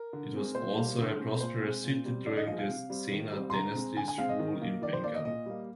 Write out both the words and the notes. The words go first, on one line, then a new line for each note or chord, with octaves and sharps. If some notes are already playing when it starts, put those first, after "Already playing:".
It was also a prosperous city during the Sena dynasty's rule in Bengal.
Already playing: A#4
D3
G#3 C4
A#2 C5
G3 A#3
D3
G#3 C4
A#2 C5
G#3 C4
A#2
G3 C4
D3 D5
D#5
F3 G#3 D#5
F5
C3
G3 C4
D#3
G3 C4
C6
D3 A#5
G#3 C4
D3 G#5
G#5
G#3 C4 F5
D#5
D#3
A#3
D#3 D5
C5
A#3 D5
D#5
A#2 D#5
G3 A#3